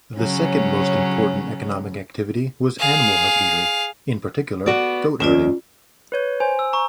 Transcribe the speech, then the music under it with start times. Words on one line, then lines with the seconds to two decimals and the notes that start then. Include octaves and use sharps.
The second most important economic activity was animal husbandry, in particular, goat herding.
0.18 C#3 F#3 C#4
2.79 G#4 F5
4.66 B3 F#4 D5
5.20 D#2 C#4 F4 D5
6.12 B4 C#5 G6
6.40 C5 G#5
6.59 E6
6.73 A#5 C#6